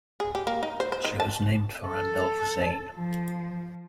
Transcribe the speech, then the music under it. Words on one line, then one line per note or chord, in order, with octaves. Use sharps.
She was named for Randolph Zane.
G#4
G4
A#3
D#4
C5
C5
D#3
A5
A4
F3